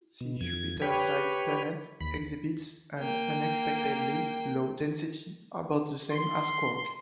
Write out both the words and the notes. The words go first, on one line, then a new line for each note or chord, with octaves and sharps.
The Jupiter-sized planet exhibits an unexpectedly low density, about the same as cork.
B2
F2 G#6
G4 B4 C#5
D#2 B5
A#3 G5
C6